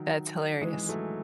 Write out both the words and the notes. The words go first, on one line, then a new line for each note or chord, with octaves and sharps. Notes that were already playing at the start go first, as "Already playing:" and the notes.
That's hilarious.
Already playing: D#3 F#3
E3 G#3
F#3 A3